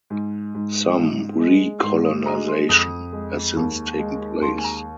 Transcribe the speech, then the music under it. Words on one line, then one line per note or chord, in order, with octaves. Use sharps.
Some recolonisation has since taken place.
G#2
G#2
G#2
G#3
G#2 C6
D#6
G#3 A#5
C6
F2 D#6
G#3
D#2
G#3
D#2 C6
G#5
A#5